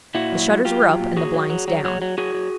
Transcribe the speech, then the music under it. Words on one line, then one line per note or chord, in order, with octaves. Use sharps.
The shutters were up and the blinds down.
A#2 E4 F#4
F#3
F#3
F#3 F4 G4
F#3
A#2
F#3 F#4 G#4
F#3
F#3
F#3
F#3
F#3
F#3 F#4 G#4
F#3